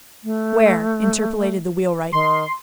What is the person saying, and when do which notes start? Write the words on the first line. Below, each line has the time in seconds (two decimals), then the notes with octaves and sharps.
"Where?" interpolated the wheelwright.
0.24 A3
2.12 D#3 C6